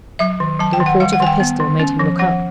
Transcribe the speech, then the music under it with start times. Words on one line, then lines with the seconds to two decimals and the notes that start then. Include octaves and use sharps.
The report of a pistol made him look up.
0.19 F#3 E5
0.40 D#3
0.59 F#3 A5
0.73 G5
0.80 D#3
0.86 F#5
1.00 G3 F5
1.13 F#5
1.20 D#3 G#5
1.27 G5
1.40 B3
1.60 D#3
1.80 C#4
1.99 F3
2.19 F3 F#5